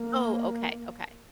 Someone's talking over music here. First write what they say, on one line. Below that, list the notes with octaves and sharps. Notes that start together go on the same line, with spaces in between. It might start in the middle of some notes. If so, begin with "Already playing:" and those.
Oh, okay, okay,
Already playing: A#3